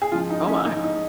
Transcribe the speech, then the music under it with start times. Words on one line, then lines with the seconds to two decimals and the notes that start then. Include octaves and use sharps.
Oh my.
0.02 G#4
0.12 C#3 F3 G#3 F4
0.30 D#4
0.47 C#4
0.65 C#3 F3 G#3 D#4
0.83 D#4